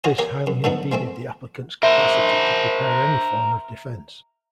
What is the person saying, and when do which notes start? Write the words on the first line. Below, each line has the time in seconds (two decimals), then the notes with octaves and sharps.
This highly impeded the applicant's capacity to prepare any form of defense.
0.04 F4 F#4 C#5 D#5 G#5
0.18 G4 G#4 A#4 C#5 F5 G#5
0.47 F#2
0.64 G#2 D3 F3 F#3 B3 D#4
0.92 F3 G#3 A3 C4
1.83 A#4 C5 E5